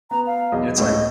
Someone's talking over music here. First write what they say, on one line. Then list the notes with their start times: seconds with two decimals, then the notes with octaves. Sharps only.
and it's, like
0.11 B3 A#5
0.26 F5
0.52 B1 E2 D#5
0.78 C#2 A2 A3 D#5